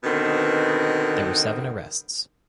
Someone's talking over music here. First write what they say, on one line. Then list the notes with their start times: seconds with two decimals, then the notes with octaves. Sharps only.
There were seven arrests.
0.04 B2 D3 D#3 B3 C4 A#4